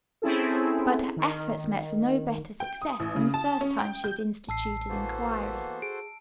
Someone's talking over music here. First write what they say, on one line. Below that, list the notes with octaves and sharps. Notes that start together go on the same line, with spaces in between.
But her efforts met with no better success than the first time she had instituted inquiry.
C4 C#4 E4 G#4 A4
D#3
G5
D#6
A1
C#3
A5
C#4
G5
G6
A1 A5 E6 C7
E3 A#3 B3 F#4 A4 C5
G#4 D7